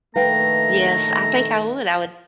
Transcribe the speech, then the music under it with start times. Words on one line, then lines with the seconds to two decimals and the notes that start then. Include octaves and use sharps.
Yes, I think I would I would
0.16 A#1 D#3 A3 B4 F5 G5 A#5